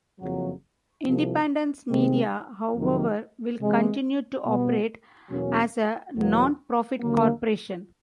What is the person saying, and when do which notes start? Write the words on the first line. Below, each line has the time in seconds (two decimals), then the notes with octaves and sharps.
Independence Media, however, will continue to operate as a non-profit corporation.
0.20 F#1 F2 C#3 F#3
1.05 C2 C3 F3
1.90 C3 D#3 G#3 C4
2.75 F2 C3 D#3 F#3
3.60 C3 E3 G#3
4.45 B2 G3 B3
5.30 E2 B2 F#3 A#3 C#4
6.15 E2 B2 F#3 A#3
7.00 D#2 D3 F#3 A#3